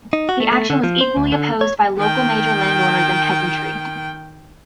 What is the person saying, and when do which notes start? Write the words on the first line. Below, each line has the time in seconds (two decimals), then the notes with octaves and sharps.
The action was equally opposed by local major landowners and peasantry.
0.13 D#4
0.29 F#4
0.40 A3
0.52 A3
0.70 D3
0.83 F3
1.01 C5
1.17 D2
1.32 D3
1.61 C#5
1.98 D#3 G5